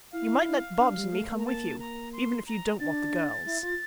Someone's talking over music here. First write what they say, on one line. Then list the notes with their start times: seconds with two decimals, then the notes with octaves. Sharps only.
You might let Bobs and me come with you - even if you don't want the girls.'
0.12 E4 F5
0.79 D4
0.96 G3
1.12 A3
1.29 A#3
1.39 A#5
1.46 A5
1.79 A#5
2.13 C6
2.47 A#5
2.80 D4 A6
3.46 E4
3.63 F4